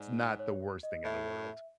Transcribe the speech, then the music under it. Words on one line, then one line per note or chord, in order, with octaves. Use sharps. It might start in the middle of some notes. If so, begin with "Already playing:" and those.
it's not the worst thing in the world.
Already playing: G#2 D5
C#5
D#5
A2 E5